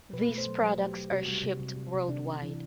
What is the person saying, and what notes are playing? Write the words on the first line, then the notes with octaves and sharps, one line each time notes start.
These products are shipped worldwide.
B2 B4
A3
C5
F#3
F#3 B4
A3
G4
F#3
C3 F#4
G3
C3
C3
C3
C3
C3 D4
C3
E3